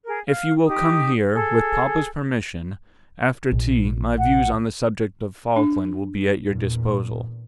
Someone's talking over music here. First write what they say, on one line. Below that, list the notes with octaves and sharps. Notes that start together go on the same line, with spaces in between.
If you will come here--with papa's permission--after tea, my views on the subject of Falkland will be at your disposal.
G#4 A#4
F5
D#4 G4 D#6
G#4 A4
A#1
F#5
D4
E2 A#2